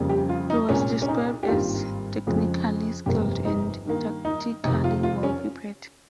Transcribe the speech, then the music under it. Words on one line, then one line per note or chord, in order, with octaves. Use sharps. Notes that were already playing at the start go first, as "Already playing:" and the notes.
He was described as "technically skilled and tactically well prepared".
Already playing: F2 C#3 G3 A#3
G4
F4
D#4
C2 A#2 G#3 C#4
C#4
D#4
G4
G#1 G2 D#3 G3 A#3 F4
F2 C#3 F3 G#3
G1 F2 C3 G3 A#3 G4
D#4
G2 D#3 A#3
D#4
F2 C3 D#3 D#4
F4
F4
C#4